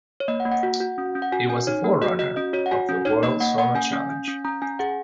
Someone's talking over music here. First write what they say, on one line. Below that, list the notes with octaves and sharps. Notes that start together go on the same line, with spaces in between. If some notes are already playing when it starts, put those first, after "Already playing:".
It was the forerunner of the "World Solar Challenge".
C#5
A#3 D#5
F#5
A#3
F#5
F#4
F#4
C#4
C#4
F#5
F#4 G#5
C#4 G#5
D#4 C#5
A#3
F#4 D#5
F#4 D#5
C#4 D#5
F#4 C#5
F#5
F#4 G#5
C#4
D#4 C#5
A#3 D#5
A#3 F#5
A#3 F#5
C#4 G#5
C#4
C#4
C#4
C#4 A#5
C#4 G#5
G#4 F#5